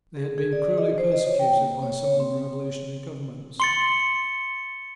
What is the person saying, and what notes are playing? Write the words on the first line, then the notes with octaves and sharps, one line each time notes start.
They had been cruelly persecuted by some of the revolutionary governments.
G#4
G#4
D5
D#5
C5
D#5
C#5
G5
A#3
C#5
C#5
C4
C6 A6 C#7 G7